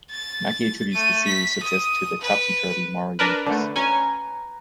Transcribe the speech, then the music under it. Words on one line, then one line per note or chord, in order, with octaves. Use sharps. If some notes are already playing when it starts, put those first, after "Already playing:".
Mackey attributes the series' success to the "topsy-turvy moral universe".
A6
A3 D#7
B6
D#6
B4
D4 A#4 B4
D3 A3 B4
C#4 G#5 A#5